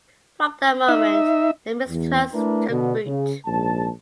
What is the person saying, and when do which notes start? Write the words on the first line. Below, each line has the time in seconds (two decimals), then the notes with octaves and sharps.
From that moment the mistrust took root.
0.88 D#4 E5
1.89 E2
2.34 A3 D4 E4 A#4 B4
2.70 B2 D3
3.06 C#3
3.47 A#1 G#2 A5